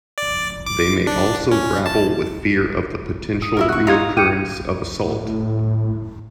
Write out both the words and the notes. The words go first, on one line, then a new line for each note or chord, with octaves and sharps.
They may also grapple with fear of the potential reoccurrence of assault.
D5
D6
D4
C#4
A5
D#6
E4 F#4 A#4
F#4 C#6 F#6
D#4 F4 A#4 G#6 F7
G5 C#7 D#7
A2